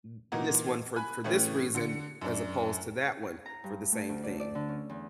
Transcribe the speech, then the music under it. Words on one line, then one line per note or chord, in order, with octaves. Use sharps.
th this one for for this reason, as opposed to that one for the same thing,
A#2 E3 A#3 D#4 F#4
G#5 B5 F#6
A2 E3 A3 C#4
D3 C#7
F#2 D4
A#5
G2
A3
D2
D5
D5
D3
C#4
E2